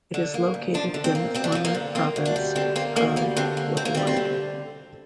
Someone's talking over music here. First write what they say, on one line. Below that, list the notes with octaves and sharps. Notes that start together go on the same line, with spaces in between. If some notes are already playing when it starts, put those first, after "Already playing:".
It is located in the former province of Labourd.
D3
A#3
D2
F3 D4
D3
C4
A#3
D2 C4
D4
C4
F3
A#3
D3
A#3 C4
D2
D4
G3
D3 C4
A#3 C4
D2 A#3
G3 A#3
D3 C4
A#3
D2 C4
A#3
C4
G3
C4
D3